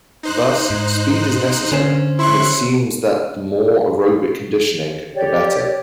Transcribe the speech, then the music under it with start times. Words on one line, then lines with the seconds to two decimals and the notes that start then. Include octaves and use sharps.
Thus, speed is necessary, and it seems that the more aerobic conditioning, the better.
0.23 D#4 C5 F#6
0.70 G#2
1.72 D3 C#4 C5
2.19 E4 C6 C#6 F#6
5.14 G4 C#5 D5